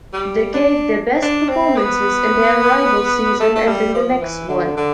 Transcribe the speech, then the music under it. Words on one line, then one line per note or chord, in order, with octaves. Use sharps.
They gave their best performances in their arrival season and in the next one.
G3
D4
C4
D4
C4
B3
A3
A3
G3
F3
E3
D3
D3